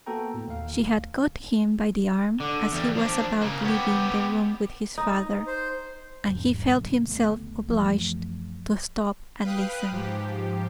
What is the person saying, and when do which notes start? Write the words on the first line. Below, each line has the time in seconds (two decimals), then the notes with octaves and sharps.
She had caught him by the arm as he was about leaving the room with his father, and he felt himself obliged to stop and listen.
0.06 A#3 B3 F#4 A4 G5 A#5
0.34 A2
0.48 D#2 F5
0.79 D2
2.40 D3
2.72 E2 G3
2.95 F3 D4
3.41 C#3 A#3
3.64 B3 G4
4.98 D#4
5.47 C5
6.28 E2 G#2 D3 G3
6.70 G2 B2 D3 F#3
7.09 C#2 A3 B3
7.69 F#2 E3 F3 A3
9.44 B4 F5 G5 D#6 F#6
9.91 G#2 F3 G4